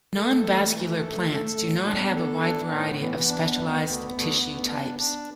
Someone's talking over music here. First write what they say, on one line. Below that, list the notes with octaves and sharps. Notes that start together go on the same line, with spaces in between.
Non-vascular plants do not have a wide variety of specialized tissue types.
A3 A4
E3
E3
A4
A4
A2
B3 D4
A4
D4
A2
E3
D4
D2
D2
D2
D2
D4
D4